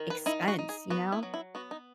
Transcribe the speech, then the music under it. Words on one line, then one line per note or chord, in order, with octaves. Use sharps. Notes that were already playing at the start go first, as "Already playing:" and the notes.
expense, you know?
Already playing: D#3
B4
D#4 E4
E4
F#4
D#4
G#4
B3 F#4
E4
F#3
E4
B3 F#4
D#4